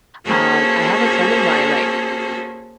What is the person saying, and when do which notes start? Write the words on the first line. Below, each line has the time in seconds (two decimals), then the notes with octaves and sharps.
Um, I have a friend of mine, like,
0.24 A#3 C#4 F#4 G#4 A4 C5